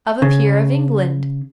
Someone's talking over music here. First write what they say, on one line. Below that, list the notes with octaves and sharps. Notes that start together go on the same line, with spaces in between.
Of a peer of England.
C#3